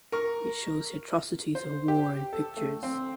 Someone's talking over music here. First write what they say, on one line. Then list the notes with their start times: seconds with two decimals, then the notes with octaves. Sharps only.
It shows the atrocities of war in pictures.
0.12 A#4 C#6
1.55 C5
1.88 G4
2.33 A4
2.57 A3
2.83 C4